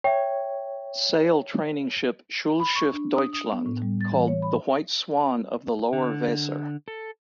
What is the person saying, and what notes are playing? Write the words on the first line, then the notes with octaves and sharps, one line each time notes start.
Sail training ship "Schulschiff Deutschland", called "The White Swan of the Lower-Weser".
C#5 E5 G5
B5
C#6
D4
D#6
D#6
B3
A2
G3
A6
E3
C#5
B5
D3
A4